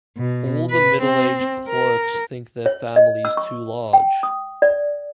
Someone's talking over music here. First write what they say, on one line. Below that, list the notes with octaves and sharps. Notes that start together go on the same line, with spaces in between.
All the middle-aged clerks think their families too large..
B2
B4
C4
A#4
C#5
D#5
E6
C#6
G5
D#6
D5